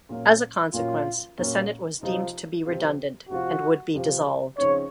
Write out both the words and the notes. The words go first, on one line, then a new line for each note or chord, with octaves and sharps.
As a consequence, the Senate was deemed to be redundant and would be dissolved.
A#2 F#3 A#3 C#4
A#2 F#3 A#3 C#4 F4
A#2 F#3 A#3 C#4
C3 F3 C4 D#4 F4
C3 F3 C4 F4
C3 F3 C4 F4 F#4
C3 F3 C4 F4
C#3 F3 C4 D#4 C#5